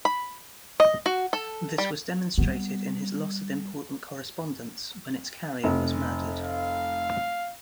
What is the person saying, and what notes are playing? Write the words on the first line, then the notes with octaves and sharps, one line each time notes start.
This was demonstrated in his loss of important correspondence when its carrier was murdered.
B5
D#5
F#4
A4
G3
G3 B3
F1
F5